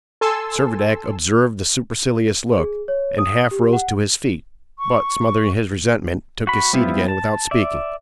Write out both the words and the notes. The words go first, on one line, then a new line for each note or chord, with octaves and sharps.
Servadac observed the supercilious look, and half rose to his feet, but, smothering his resentment, took his seat again without speaking.
A4 G#5 A5 C6 E6
G#4
C#5
D#6
G4
F#5
C#6
F#4 B5
G3 B3 C4 E4 F4
A5
D5 E5